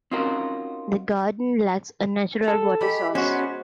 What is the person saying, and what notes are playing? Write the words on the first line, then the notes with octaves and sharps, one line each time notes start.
The garden lacks a natural water source.
C4 C#4 D#4 F4 F#4 A#4
A4
G#3 G4 B5
B3 C#4 F#4 B4 C5